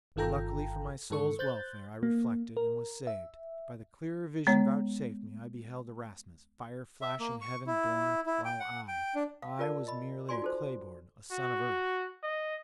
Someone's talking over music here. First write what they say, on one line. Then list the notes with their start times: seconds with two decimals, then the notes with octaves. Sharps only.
But, luckily for my soul's welfare, I reflected and was saved. By the clearer vision vouchsafed me, I beheld Erasmus, fire-flashing, heaven-born, while I--I was merely a clay-born, a son of earth.
0.16 G1 D#3 F4 A4 G5 A#5
1.10 G#2 D#3 A4 C#6
1.39 C5 F#6 G6 A6
2.03 A#3
2.57 A#4
3.07 E5
4.47 G#3 B3 C#5
7.02 E5
7.20 A#3
7.41 C#6
7.67 E4
8.26 E4
8.45 G5
8.60 F#5
8.88 G5
9.15 D4
9.42 F5
9.59 F4 A#4 D5 A5
9.87 D#5 B5
10.29 F4 F#4 D5 G#5 C6
10.42 D#4 A4 C5
11.32 F#4
12.23 D#5